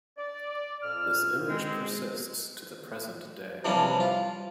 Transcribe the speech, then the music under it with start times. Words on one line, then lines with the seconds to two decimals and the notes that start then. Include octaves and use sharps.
This image persists to the present day.
0.18 D5
0.83 F2 A#2 E6 F6
1.48 G#3 C4
3.64 C3 E3 F3 G3 C#4 D4
4.00 F4